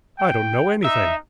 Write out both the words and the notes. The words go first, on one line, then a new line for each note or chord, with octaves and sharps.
I don't know anything.
G5
D#4 E5